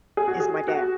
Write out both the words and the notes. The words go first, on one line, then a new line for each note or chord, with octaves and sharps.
is my dad.
G#4
F#4
G#4
F#4